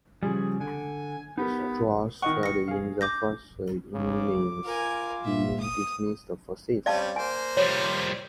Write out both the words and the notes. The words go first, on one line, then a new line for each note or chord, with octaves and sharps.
Strauss failed in the first innings, being dismissed for six.
C#3 F3 G3 G#4
D3 G#5
B3 D#4 G4 A#4
D#3 D#5 F#5 C#6
A#6 C#7
G#4 F5
D6 G6 A#6
C#3 D6
F4 A#4 G#5
A#2 E5
D#6
G3 C4 C#4 D5 F5 A5
A#3 C5 G#5
F3 G3 C#5